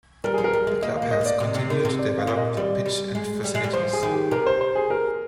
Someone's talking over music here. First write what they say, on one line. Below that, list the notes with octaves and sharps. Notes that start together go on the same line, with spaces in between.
The Club has continued to develop the pitch and facilities.
G3 A#4
F3 G#4
A#4
G3
G#3
A#3 D#5
F5
A#3
D#5
A#3 D5
C3
C3
D#3
C3
D5
F5
A#2
F5
D#5
G3 D5
G3
G#3
G3
G#3
G3
F3 C5
G#4
D#3
G4
C3 A#4
C5
C5
G#4
A#4